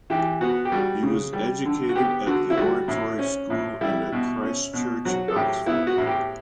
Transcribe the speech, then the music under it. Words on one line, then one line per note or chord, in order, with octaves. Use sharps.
He was educated at The Oratory School and at Christ Church, Oxford.
E3 G4
B3 F#4
G4
G3 F#4
C#3
G3
D3
F#4
B3 G4
D3 F#4
E4
G3 F#4
A2
C#4
A2
G3 E4
B2
C#4
B2
F#3 F#4
A4
A2 G4
B3 E4
F#4
A2
G4